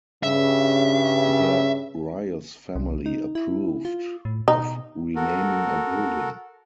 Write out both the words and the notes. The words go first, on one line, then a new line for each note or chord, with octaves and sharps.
The Rios family approved of renaming a building.
G2 C#3 E5
C2
D#4
E4
F4
A2
B2 D#4
F#4 A4 A#4